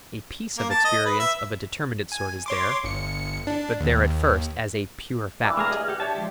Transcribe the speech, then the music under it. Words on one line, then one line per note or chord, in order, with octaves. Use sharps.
A piece of experience of a determinate sort is there, but there at first as a 'pure' fact.
A#3
A5
D#5
B4
E5
G#5
C#5 C6 D6
G1 C#7
D4
D#2
G2 E3 D6
A3 G#4 A#5 F6
G4 G#4 D#5
G4 F#5
D4 G4 C#5 E5 A5
F3 G#3 G4